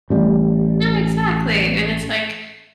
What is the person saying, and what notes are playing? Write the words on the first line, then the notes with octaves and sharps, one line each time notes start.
Ah, exactly, and it's like
A1 G3